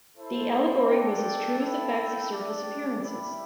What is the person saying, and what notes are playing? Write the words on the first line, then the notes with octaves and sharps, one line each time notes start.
The allegory was as true as the facts of surface appearances.
E4 A4 C5
D4 A4 D5 G5
E4 A4 E5 G5
D4 G4 D5
G3 E4 G4 E5